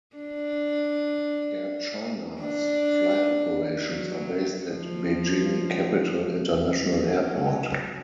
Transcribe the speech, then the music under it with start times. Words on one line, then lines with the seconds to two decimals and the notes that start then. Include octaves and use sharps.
Air China's flight operations are based at Beijing Capital International Airport.
0.16 D4
2.40 D4
3.89 F#3
4.64 F3
6.88 F#3